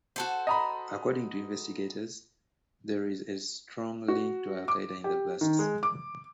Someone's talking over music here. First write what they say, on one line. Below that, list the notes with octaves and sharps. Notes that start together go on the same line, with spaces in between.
According to investigators, there is no strong link to Al Qaeda in the blasts.
F#4 A4 C5
D#5 A#5 B5
F#4
D6
G4
D#3
G#3
D6